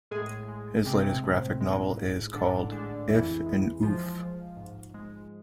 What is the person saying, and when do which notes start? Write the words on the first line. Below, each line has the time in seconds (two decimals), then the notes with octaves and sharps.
His latest graphic novel is called "If n' Oof".
0.11 A2 G#3 G#4
0.48 G#3
0.85 C3 G#3 C4
1.23 A2
1.61 G#3
1.98 G#2
2.34 A2 D3 D4
2.72 D3 G#3 D4
3.08 F2 E3 E4
3.46 G#3
3.83 F3 G#3 F4
4.20 F3
4.57 G#2
4.94 G#3